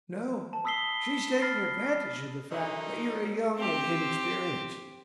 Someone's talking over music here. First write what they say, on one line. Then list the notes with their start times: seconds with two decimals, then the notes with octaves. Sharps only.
No; she's taking advantage of the fact that you are young and inexperienced.
0.53 A5
0.65 B5 D#6 E6 B6 C7 G7
1.41 B5 F6 A6 A#6 C7
2.51 D3 D#3 F#3 D#4
3.56 C4 G4